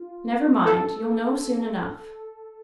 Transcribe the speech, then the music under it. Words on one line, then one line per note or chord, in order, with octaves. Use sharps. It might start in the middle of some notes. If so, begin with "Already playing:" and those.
'Never mind; you'll know soon enough.
Already playing: F4
A4